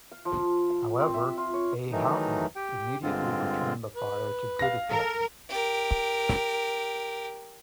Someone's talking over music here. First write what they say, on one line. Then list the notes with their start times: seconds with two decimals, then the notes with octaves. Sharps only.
However, "A. Houghton" immediately returned the fire to good effect.
0.11 F5
0.25 F3
0.70 F5
1.00 C4
1.14 E5
1.38 F4
1.54 C#5
1.92 D#3 E3 F#3 A3 D#4
2.56 G4 G5
3.03 G2 D3 G#3 C4 F4
3.96 B4
4.59 F5 A#6
4.90 A4 A#4
5.49 G4 A#4